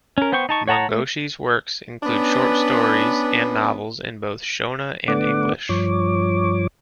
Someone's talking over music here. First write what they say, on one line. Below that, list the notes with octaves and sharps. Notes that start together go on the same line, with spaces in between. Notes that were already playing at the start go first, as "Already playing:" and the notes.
Mungoshi's works include short stories and novels in both Shona and English.
C#4 A#4
B3 C5 G5 C#6
D#4 A5 C#6
C#5 F#5 A5 A#5
A3
B3 C#4 D4 B4
D3 A3 B3 D5 F#5 D6
G2 F3 C#5 D6